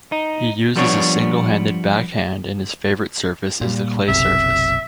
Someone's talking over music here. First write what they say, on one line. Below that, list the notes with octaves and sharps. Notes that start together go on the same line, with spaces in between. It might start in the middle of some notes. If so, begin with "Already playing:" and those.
He uses a single-handed backhand and his favorite surface is the clay surface.
D#4
F3 G3 B3 D4 C#5
A#2 G3
F#1 B1 C3 E5